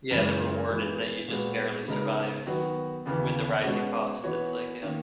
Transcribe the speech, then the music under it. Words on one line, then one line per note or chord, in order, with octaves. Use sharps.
Yeah, the reward is that you just barely survive with the rising costs, it's like yeah.
F#2 C#3 E3 G#3
E3 G#3 B3
A#2 G#3 B3 F#4
C#3 G#3 B3 D#4 A#4
D#3 F#3 B3 F#4
D#2 C#3 E3 B3
B2 G#3 C#4 F#4
E3 B3 F#4 C#5
D#3 A#3 C#4